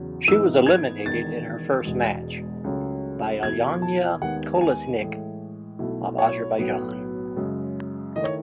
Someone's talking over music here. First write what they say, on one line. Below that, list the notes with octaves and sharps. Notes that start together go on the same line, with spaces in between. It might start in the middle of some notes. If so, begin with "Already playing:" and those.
She was eliminated in her first match by Alyona Kolesnik of Azerbaijan.
Already playing: E2 C#3 F#3
G#2 E3 B3 D#4 E6
G#6
E1 E2 D#3 A6
E1 E2 B2 G#3
C#2 C#3 F#3 A3 C#4
E2 B2 A3 E4 G#6
A5
D#2 D#3 G#3 B3 F#5
G#5
A2 E3 G#3
B1 B2 A3 E4
C#5
B1 A2 F#3 B3
F#2 C#3 G#3
D#3 A3 E4 D#5
C#5